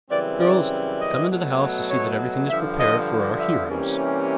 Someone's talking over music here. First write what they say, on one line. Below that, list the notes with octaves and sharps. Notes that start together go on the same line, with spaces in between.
"Girls, come into the house to see that everything is prepared for our heroes."
F#2 C#3 E3 G3 C4 D5
D5
D#5
B2 F#3 A3
C#5
G2 D3 F3 E5
D#5
E5
C3 E3 G3 A#3 C#4